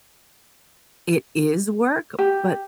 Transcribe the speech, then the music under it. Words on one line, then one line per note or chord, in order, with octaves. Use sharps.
it is work, but
G4